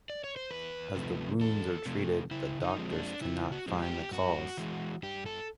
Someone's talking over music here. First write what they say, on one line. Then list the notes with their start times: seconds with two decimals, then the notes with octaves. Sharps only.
As the wounds are treated, the doctors cannot find the cause.
0.10 D5
0.24 C#5
0.36 C5
0.51 E2 B4
0.95 C3 F3 A3
1.40 E2 A4
1.86 C3 F3 A3
2.31 C#3 E4
2.62 D#4
2.76 F3 G#3 C4
2.91 D4
3.21 C#3 E4
3.52 F#4
3.68 F3 G#3 C4
3.82 G4
4.12 G2 F#4
4.57 E3 G#3
5.03 G2 G4
5.26 A4